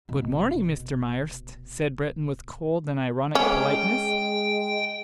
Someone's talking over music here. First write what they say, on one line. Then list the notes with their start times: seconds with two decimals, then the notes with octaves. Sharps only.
"Good-morning, Mr. Myerst," said Breton with cold and ironic politeness.
0.09 F1 B2
3.35 G#3 C#4 G5